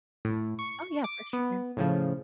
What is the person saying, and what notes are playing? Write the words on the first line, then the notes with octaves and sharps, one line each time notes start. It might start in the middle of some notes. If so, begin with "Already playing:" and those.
Oh, yeah, for sure.
A2
C#6
D6
B3
A2 C#3 F3